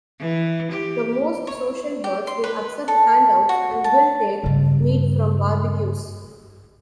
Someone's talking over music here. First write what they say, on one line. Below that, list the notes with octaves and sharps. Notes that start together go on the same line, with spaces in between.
The most social birds will accept handouts and will take meat from barbecues.
E3
G4
C#5
G4
C6
B4
A4
F#4
A5
G2 C#3